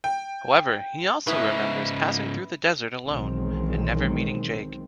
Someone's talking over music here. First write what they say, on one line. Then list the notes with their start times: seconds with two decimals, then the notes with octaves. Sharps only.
However, he also remembers passing through the desert alone and never meeting Jake.
0.04 G5
1.27 G#2 C#3 B3 E4 B4
3.05 B1 D#3 E3 G#3 C4